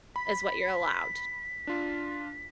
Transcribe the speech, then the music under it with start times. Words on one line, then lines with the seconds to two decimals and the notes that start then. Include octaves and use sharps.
is what you're allowed."
0.16 B5 B6
1.67 D4 F4